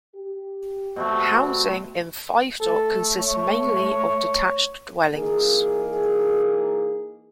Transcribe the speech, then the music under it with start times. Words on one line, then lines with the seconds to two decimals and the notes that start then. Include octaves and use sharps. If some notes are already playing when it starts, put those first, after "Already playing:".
Housing in Five Dock consists mainly of detached dwellings.
0.16 G4
0.96 B2 G3 A3 C4
2.60 A3 A4
3.13 C#5
5.14 E3 A#3 D#4 G#4